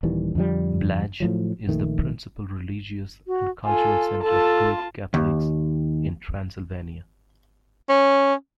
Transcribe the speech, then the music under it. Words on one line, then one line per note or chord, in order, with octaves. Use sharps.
Blaj is the principal religious and cultural center of Greek Catholics in Transylvania.
D#1 D#3 E3 G3
F2 D3 F3 G3
A2 F3 F#3
A#1 D#3 A3
F#4
F4 A4 G#5
F4 A4 A5
D#2
C#4